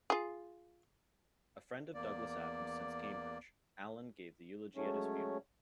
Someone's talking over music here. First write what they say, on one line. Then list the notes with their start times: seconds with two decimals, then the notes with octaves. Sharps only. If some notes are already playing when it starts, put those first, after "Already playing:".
A friend of Douglas Adams since Cambridge, Allen gave the eulogy at his funeral.
0.10 F4 G#4
1.94 E2 A#3 D5
4.76 F#3 G#3 A3 C#4